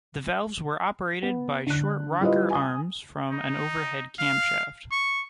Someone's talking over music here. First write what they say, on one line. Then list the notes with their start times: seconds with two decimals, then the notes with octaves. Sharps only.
The valves were operated by short rocker arms from an overhead camshaft.
1.22 B3
1.66 D3 F#6
2.21 G3 E4 F4 B4 D#5
2.50 G#5 D#6
3.31 D#4
4.19 F5
4.92 C#6